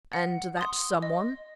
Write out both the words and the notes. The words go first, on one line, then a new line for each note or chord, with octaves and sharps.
"And that someone?"
F#5
C6 D#6
D#5